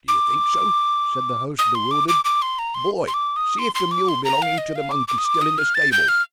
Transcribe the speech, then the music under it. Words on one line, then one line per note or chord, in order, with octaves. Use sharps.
"Do you think so?" said the host, bewildered; "boy, see if the mule belonging to the monk is still in the stable."
D6
D#6
C6
D6
D6
D6
C6
A#5
C6
C6
D6
D#6
C6
C6
D6
C6
A#5
F5
D#5
F5
D6
D6
D#6
D6
D#6
F6
A6
G6
F6